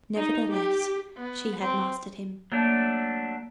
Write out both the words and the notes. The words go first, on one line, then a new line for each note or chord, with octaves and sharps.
Nevertheless she had mastered him.
D#4
G4
B3
C4
F#3 A3 A#3 D4